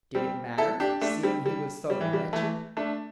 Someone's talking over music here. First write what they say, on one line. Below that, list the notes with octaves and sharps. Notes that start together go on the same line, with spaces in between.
Did it matter, seeing he was so wretched?
G3 C4
E4 A4
D4 G4
A3 D4
G3 C4
G3
G3
E3
G3
E3 A3
A3 D4